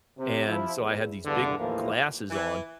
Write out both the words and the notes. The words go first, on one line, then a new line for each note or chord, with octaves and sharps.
And so I had these big glasses on.
C3
F3 E4
E2
E2 G2 D3
D#2 A2 E3 F3 A#3
E3